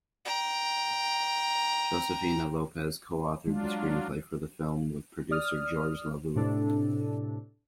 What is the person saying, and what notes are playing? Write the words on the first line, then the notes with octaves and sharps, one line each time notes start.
Josefina Lopez co-authored the screenplay for the film with producer George LaVoo.
G5 A#5
F#3 G#3 D4 F4
D5 D#6 F6
A2 C3 D4 A4